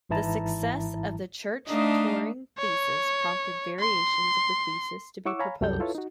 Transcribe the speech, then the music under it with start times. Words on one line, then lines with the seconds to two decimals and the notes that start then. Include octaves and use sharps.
The success of the Church-Turing thesis prompted variations of the thesis to be proposed.
0.09 G#1 G#2 E3 E4 A5 A#5
1.67 A3 D4 D#4 D#5 F5
2.58 C#5
3.80 C6
5.25 E4 C#5 F#5 C#6 D6 E6
5.40 C#5 F5 G#5 A#5 B5
5.61 C2 F#2 F#3 G3 A4 G6
5.80 E4 F4 A4 B4 C#5
5.95 D#4 F#4